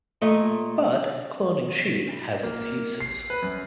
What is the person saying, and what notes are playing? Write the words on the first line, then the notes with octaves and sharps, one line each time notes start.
But cloning sheep has its uses.
A#2 A3 D#5
A#3
C7
B4
F#2